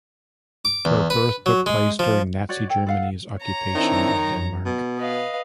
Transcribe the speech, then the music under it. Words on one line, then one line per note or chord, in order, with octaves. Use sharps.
Her birth took place during Nazi Germany's Occupation of Denmark.
D6
E2
B4
F#3
G#3
F3
F#4 C#5 D5
A4 C#5 G5
A4 F5 F#5
C#5 A#5
D#3 C4 D4 E4
F#2
B2
B4 D#5 F5